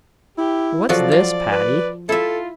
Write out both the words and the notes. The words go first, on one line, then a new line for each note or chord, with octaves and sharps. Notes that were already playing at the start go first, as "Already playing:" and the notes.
"What's this, Patty?"
E4 G4
F3 F#3 F#4 A4 D5
F4
B4
E4 F4 A4 E5